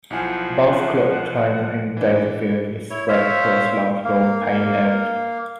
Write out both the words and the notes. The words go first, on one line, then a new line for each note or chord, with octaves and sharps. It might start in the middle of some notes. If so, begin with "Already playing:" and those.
Above clock time and data field is spread across multiple payload.
B1 F3 E4 F#5 G#5
E3 D4
E4 C#5
C5 C#5 E5 F5
A#3 F5